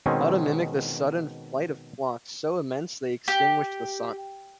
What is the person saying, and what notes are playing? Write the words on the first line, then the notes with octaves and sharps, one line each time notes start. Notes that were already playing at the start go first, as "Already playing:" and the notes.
How to mimic the sudden flight of flocks so immense they extinguished the sun?
B2 D#3 G#3 C4 C#4 G#5
G4